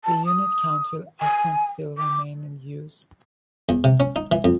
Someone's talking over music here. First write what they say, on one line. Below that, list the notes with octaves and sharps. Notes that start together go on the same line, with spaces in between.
The unit count will often still remain in use.
A5
D#6
G#5
D6
E2
C3
C#4
D#4
E3
F2